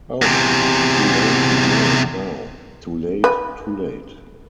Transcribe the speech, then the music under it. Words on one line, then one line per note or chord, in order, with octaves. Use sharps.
Oh, too late to know it now, too late, too late.
E2 C3
B4